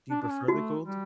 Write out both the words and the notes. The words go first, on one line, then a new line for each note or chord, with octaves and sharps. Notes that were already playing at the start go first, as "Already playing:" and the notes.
Do you prefer the cold?
D4
D4
C#4
A3 F#4
G3